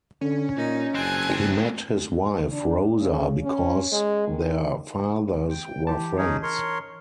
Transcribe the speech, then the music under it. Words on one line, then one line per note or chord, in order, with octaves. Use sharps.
He met his wife Rosa because their fathers were friends.
D3 C#4
A#2 D#4
F#1 C4 D4 G#5 F#6
A5
D4
C#3
C#4
G#3
D#3
G5
E3 G4 A5
C#4 D#4 G#4
A#4 C#5 C6